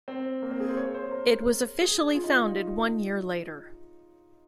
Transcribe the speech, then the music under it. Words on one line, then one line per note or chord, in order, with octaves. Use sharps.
It was officially founded one year later.
C4
A#3
C4
G#4
C5
C#5
C5
A#4
G#4
F4
D#4
F4